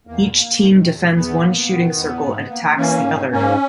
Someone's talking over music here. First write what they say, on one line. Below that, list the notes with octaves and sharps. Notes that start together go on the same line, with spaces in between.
Each team defends one shooting circle and attacks the other.
E2 A#3
A#3
D#3
E2
E2 B3
A#3
D#3
E2
G#2
A#3
E3 A#3 C#4
G#2
G#2 A#3 C#4